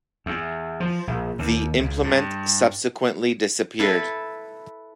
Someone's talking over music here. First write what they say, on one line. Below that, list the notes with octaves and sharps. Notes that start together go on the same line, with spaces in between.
The implement subsequently disappeared.
E2
F3
A#1
D#2
C#2
G2
E4 A4 B4